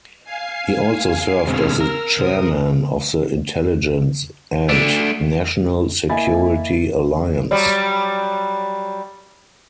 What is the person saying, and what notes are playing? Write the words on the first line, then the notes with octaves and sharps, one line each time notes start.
He also served as the Chairman of the Intelligence and National Security Alliance.
F5 G#5 C7
B2 D3 G#3 C4 E6 F6
A#4
D#2 C3 C5 D#6
A3 D4
A#3 E4 D#5 G#5 B5 A6
F#3 G3